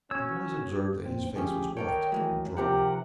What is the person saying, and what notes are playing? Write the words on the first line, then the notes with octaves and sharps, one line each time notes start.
The boys observed that his face was white and drawn.
C#4 F#4 E6 G#6
F2 A#2 C4
D2 F3 C#4 G4 G#4
D#3 A4 A#4 C#5 D5 G5
E3 F#3 G#3 A3
C3 D#3 F3 C4 G4 A#4 F#5